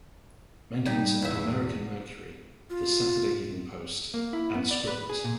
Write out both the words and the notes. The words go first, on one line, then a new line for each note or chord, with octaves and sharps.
Mencken's "American Mercury", the "Saturday Evening Post" and "Scribner's".
G3 D#4
E2 E5
F4
A#3
E4
B3
D5
B4
G#4
A#2